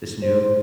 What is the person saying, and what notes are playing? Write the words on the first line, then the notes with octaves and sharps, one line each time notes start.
this new
C5